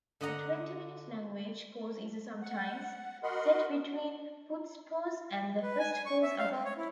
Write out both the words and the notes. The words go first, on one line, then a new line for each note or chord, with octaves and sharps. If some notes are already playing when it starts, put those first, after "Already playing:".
A twenty-minute language course is sometimes set between Putzpause and the first course hour.
D3 D#5 F#5 A#5
F#5
F#4 A#4 D#5 F#5 B5 C6
B4
G#5
G#5
C#6
E5
F5
C4
C#5
E4